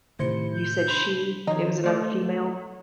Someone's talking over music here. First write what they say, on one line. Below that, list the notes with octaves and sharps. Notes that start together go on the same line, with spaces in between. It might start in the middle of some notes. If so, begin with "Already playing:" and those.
you said she it was another female?
A2 C3 D#3 E4 C5 C#7
G6
D4 B5 C6
D#3 F3 D#4 C#5
A3 C5 D5 D#5